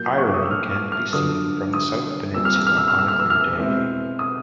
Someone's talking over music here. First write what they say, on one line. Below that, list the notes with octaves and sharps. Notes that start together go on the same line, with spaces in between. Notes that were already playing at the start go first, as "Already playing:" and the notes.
Ireland can be seen from the south peninsula on a clear day.
Already playing: A#2 F#3 A#3 G6
C#6
D6
D#6
E6
F6
F6
F6
D3 F#3 B3 D4 F4 D#6
D#6
A#2 G3 C4 E6
F6
E6
F6
E6
F6
E6
F6
E6
F6
E6
B2 G#3 C4 E4
D#6